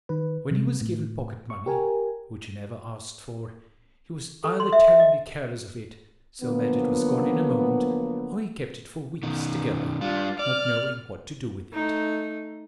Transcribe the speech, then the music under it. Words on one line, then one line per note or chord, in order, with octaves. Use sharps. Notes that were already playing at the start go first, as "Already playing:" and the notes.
When he was given pocket-money, which he never asked for, he was either terribly careless of it so that it was gone in a moment, or he kept it for weeks together, not knowing what to do with it.
D#3 B4
C3
A2
C#6
G4 A#4 G#5
A4
C6
E5
E5
D#5
D3 F3 F#3 A#3 B3
B2 D#3
G3 D4 F4
D5 F6
A3 D#4